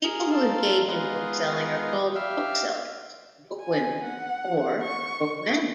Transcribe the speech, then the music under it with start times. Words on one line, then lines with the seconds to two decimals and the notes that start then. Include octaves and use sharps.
People who engage in bookselling are called booksellers, bookwomen, or bookmen.
0.04 G#4 A#4
0.31 F4 A4 A#4
0.88 G#3 B3 D#4 F4
2.15 G4 E5 F5
3.61 G#5
4.03 F#5
4.81 C#6